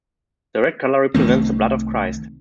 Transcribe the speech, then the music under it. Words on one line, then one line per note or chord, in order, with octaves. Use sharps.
The red colour represents the blood of Christ.
C2 D#3 A3 C4